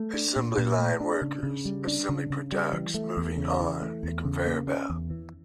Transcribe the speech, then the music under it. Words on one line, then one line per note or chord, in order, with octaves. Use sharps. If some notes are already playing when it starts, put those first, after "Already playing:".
Assembly line workers assemble products moving on a conveyor belt.
Already playing: A3
D4
A#2
A#2
A3
D4
C#3
C#3
G3
D4
C#3
C#3
G3
E3
A3
E2
C#3
E3
A3
E2
C#3
A#3
C#4
E2
E3